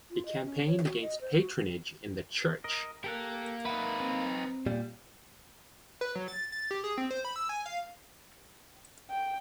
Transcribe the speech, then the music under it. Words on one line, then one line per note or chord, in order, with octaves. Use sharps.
He campaigned against patronage in the Church.
F4
D#5
C#4
C#5
F#4
D#5
C5
F#4
A#4 D#5
A#3 G4 A4 A#4 F#6
D#4 B4 E5 F#5
C4
A#2 G3
B4
F#3
A6
A6
G4
G#4
C4
C5
B5
E6
G#5
F5
G5